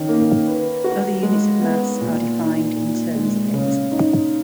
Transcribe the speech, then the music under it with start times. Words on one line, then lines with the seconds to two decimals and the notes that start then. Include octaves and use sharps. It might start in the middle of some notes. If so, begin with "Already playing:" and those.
Other units of mass are defined in terms of it.
Already playing: D#3 C#4
0.08 A#3
0.47 B4
0.84 F#4
1.23 G#3
1.62 B3
2.00 A#2
2.39 D#4
2.76 A#2
3.15 G#3
3.53 C#3
3.92 D#4